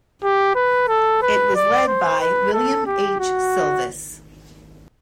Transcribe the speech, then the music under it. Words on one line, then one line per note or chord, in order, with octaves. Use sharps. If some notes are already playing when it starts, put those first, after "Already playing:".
It was led by William H. Sylvis.
G4
B4
A4
B4
D5
C5
B4
A4
G4
F#4